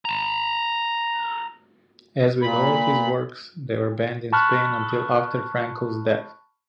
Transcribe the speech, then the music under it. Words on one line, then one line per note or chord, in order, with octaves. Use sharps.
As with all his works, they were banned in Spain until after Franco's death.
A5 A#5
A#2 B5
A5 B5 C#6 F6 F#6